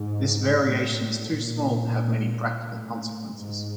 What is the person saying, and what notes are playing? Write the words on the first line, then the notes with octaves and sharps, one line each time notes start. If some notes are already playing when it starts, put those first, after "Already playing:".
This variation is too small to have many practical consequences.
Already playing: G#2
A2
A#2
A2
G#2